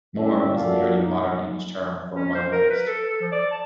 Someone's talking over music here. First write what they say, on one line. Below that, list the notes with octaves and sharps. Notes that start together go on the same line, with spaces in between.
Mummer is an Early Modern English term for a mime artist.
A#3 C#4 E4 G4 D5 E5
A#3 F4 F#4 A4 D5 F5
D#4
C#4
C5
A#4
B4
A4
A4
F3
D5
A5